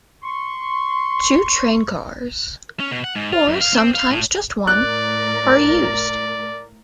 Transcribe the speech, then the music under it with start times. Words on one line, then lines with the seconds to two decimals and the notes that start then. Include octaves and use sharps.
Two train cars, or sometimes just one, are used.
0.23 C6 C#6
2.80 C#4
2.91 B2
3.04 F#5
3.16 G#2
3.33 F4
3.48 F#2
3.61 F5
3.75 C4
3.95 F5
4.11 A2
4.67 A2 A#4 D5 F#6